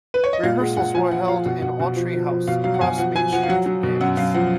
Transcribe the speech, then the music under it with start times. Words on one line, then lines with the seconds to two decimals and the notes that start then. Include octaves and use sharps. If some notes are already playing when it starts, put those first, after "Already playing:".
Rehearsals were held in Autry House, across Main Street from campus.
0.14 B4
0.24 C#5
0.33 D#5
0.43 A#2 F5
0.60 G#3 F#5
0.77 A#2 F#5
0.94 F3 G#5
1.11 F3 F#5
1.28 F3 F5
1.45 B2 F#5
1.62 B2 F#5
1.79 B2 F#5
1.96 F3
2.13 F3
2.30 F3
2.48 B2 F5
2.64 F#3 F5
2.74 F#5
2.81 B2 G#5
2.98 F3 F#5
3.15 F3 G#5
3.32 F3 F#5
3.43 F5
3.49 F#3 F#5
3.66 F#3
3.83 B2
4.01 F#2 F#5
4.17 F#2 F5
4.34 F3 F#5